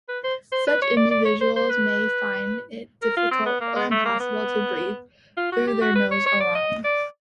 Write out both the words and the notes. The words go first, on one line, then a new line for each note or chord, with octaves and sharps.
Such individuals may find it difficult or impossible to breathe through their nose alone.
B4
C5
C5
B4
C#5
D5
D5
C#5
C5
C5
B4
A#4
F4
C4
B3
A#3
G#3
A3
A#3
B3
F4
F#4
G4
F#4
B4
C#5
C#5
D5
D#5
D5